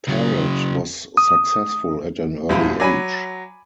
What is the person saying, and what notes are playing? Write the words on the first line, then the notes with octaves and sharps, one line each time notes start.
Parrott was successful at an early age.
C#3 F#3
D#6
D#1 F#2 E4 F4
F#3 D5 G#5 B5